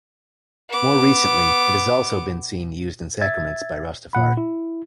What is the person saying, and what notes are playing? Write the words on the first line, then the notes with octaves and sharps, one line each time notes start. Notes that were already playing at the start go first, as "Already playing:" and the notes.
More recently, it has also seen use in sacraments by Rastafari.
B3 D6
E5 G#6 A6
A#2 F#5 B5
E4